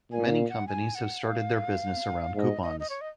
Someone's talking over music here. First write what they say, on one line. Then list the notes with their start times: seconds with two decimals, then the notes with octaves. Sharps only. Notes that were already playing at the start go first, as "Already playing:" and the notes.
Many companies have started their business around coupons.
0.11 A#2 G#5
0.30 F5
0.49 F#5
0.67 G#5
0.95 F#5
1.23 F5
2.34 G#2 F5
2.39 D#5
2.62 D#5
2.80 D#5
2.90 C#5
3.01 D#5